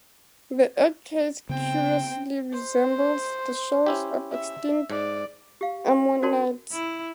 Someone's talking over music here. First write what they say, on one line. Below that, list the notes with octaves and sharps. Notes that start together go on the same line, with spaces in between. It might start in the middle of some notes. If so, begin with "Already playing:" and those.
The eggcase curiously resembles the shells of extinct ammonites.
C#3 B3 C4 G5
C5
C#4 E4 G4
E5
G#2 D5
G4 F5
C#4 F#4 A#4 D5 A5 C6
E4